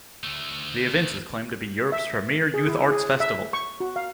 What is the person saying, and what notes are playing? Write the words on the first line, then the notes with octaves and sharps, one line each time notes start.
The event is claimed to be Europe's premier youth arts festival.
D2 A3
E5
G#4
E4
G#4
E5
C#6
F#4
F5